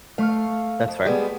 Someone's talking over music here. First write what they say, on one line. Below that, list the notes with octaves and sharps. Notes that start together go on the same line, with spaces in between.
That's fair.
A3 F5 C#6 F6
F2
G3 G#3 B3